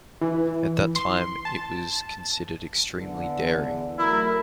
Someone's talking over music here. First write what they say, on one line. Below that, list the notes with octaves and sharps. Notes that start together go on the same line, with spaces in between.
At that time it was considered extremely daring.
E3
C6
A5
E2 D3
F#3 A3 E4 A#4